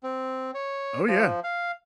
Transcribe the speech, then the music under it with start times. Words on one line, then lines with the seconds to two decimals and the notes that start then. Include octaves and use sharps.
Oh, yeah.
0.03 C4
0.54 C#5
1.08 F3
1.44 F5